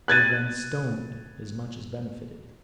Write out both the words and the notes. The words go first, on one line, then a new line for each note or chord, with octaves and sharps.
You have been stoned as much as benefited.
F#6 G#6 A6 D#7